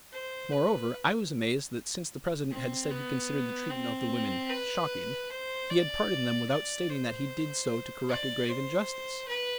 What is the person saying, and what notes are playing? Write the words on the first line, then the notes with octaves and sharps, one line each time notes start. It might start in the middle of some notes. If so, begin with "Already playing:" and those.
Moreover, I was amazed that since the President had said he considered the treatment of the women "shocking," he had pardoned them without stating that he did so to correct a grave injustice.
C5
B4
C4
B3
C4
B4
C5
D5
D5
C5
D5
C5
B4